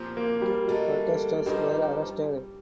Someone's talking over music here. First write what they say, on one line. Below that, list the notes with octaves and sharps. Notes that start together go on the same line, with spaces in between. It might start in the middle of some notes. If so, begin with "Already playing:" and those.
Protesters were arrested.
Already playing: A#2 F3 C4 G4
A#3
G3
D3 G3 A3 D#4 A4
G2 F3 G3 C4 D#4 G4